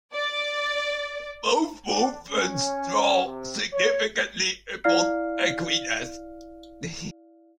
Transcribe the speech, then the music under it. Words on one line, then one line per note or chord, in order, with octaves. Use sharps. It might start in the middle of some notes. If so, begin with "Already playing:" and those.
Both movements draw significantly upon Aquinas.
D5
D4
C#4
C3
C#5
E4 D5 F5 F6 C7